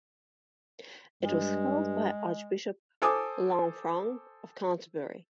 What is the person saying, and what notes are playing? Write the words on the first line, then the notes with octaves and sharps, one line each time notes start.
It was held by Archbishop Lanfranc of Canterbury.
G2 G#3
A4 C5 G#5 D6 D#6